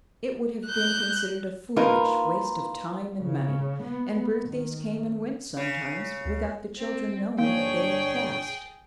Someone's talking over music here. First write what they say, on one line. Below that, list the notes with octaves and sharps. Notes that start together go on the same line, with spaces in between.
It would have been considered a foolish waste of time and money, and birthdays came and went sometimes, without the children knowing that they had passed.
F#6 G6
A#3 D#4 F4 A#4 B4
C#3
B3
D#3
C#3
D2
C4
G1 A#3 D4 G#4 C#5 G5